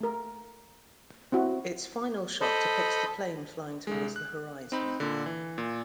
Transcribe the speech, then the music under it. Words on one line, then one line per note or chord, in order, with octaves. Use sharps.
Its final shot depicts the plane flying towards the horizon.
A3 A#4
C4 E4 F#4
A4 C5 D#5 B5
C2 G#3
F#6
C4 D#4 B5
A#2 D3
E3
A#2